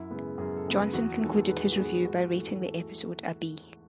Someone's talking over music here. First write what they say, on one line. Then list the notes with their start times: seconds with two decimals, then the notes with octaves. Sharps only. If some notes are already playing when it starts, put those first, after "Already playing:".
Johnson concluded his review by rating the episode a "B".
Already playing: F#2 E4
0.10 C#3 G#3 B3
0.38 F#2 G#4
0.57 A4
0.66 C#3 G#3 B3
0.93 E2 F#4
1.21 D#3 G#3 B3 A4
1.49 E2 B4
1.72 F#4
1.77 D#3 G#3 B3 G#4
2.05 G#2 F#4
2.33 E3 A3
2.61 A4